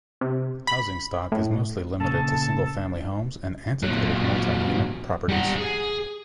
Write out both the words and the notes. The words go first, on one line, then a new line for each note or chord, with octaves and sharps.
Housing stock is mostly limited to single family homes and antiquated multi-unit properties.
C3
B5
A2
A#2 C#3 A4 A5
A#2 F#3
G3 F#5
G#4